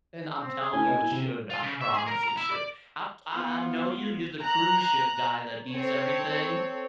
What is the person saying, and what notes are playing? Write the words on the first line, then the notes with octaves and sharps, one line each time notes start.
And I'm telling you, it should, I promise it should. I t I I know you, you're the cruise ship guy that eats everything
C4
G#4
A3 C#4 E4 G#5
B3 D#5
E4
C3
F4
C#3
E5
G#4
A#4
A#5
E4
D5
B3 F4
A#5 F#6
C4 A4 C#5